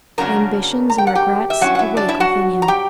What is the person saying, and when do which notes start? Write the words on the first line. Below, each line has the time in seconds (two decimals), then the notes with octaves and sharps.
Ambitions and regrets awake within him.
0.18 F#2 C#3 F#3 A#3 D4 A#4 A#5
0.90 A#5
0.98 G5
1.07 F#5
1.15 G4 G5
1.50 E5
1.61 G2 F#3 C#4 E4 F#4 F#5
1.75 F#5
1.79 E4 E5
1.97 D4 D5
2.08 E4 E5
2.20 F#4 F#5
2.62 A#5
2.68 G4 G5